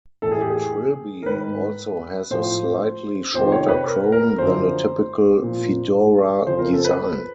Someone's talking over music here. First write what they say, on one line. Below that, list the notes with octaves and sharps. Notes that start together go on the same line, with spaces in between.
The trilby also has a slightly shorter crown than a typical fedora design.
A2 E3 A4
G#4
G4
G#4
A#4
G#2 D#3 B4
A2 F3 C5
F2 C3 D#3 C5
C#5
B4
A#4
A#4
F#2 D3 F3 C5
A#2 F3
F2 C#3 F3 C5
A#4
A4
B4